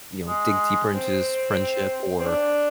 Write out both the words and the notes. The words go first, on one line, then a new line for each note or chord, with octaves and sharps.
you know, dig deeper into this friendship or,
G#3
C4
C4
D4